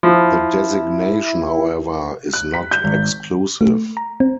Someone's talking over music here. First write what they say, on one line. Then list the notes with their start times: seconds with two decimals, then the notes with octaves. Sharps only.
The designation, however, is not exclusive.
0.03 F3 E4
2.33 F#6
2.54 B6
2.71 G6
2.84 G#1
3.61 A3
3.97 A#5
4.20 C4